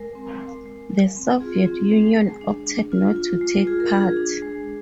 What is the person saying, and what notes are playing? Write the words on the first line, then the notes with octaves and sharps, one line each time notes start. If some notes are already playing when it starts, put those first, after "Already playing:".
The Soviet Union opted not to take part.
Already playing: G#3 A#4
C4
G#3
G#3
G#3
C4
F4 G#4
C4
G#3
G#3
D4
D4
F4
F4
G#3
F4 G#4
A#4
D4 G#4
D4
G#3